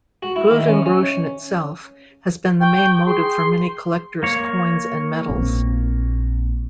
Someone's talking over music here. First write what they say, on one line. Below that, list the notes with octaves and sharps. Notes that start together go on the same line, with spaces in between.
Guldengroschen itself, has been the main motive for many collectors coins and medals.
F#4
E4
D#3
C#4
C#4
G5 C#6
G#4 C6
A#3 C#5
A#1 A#2 C4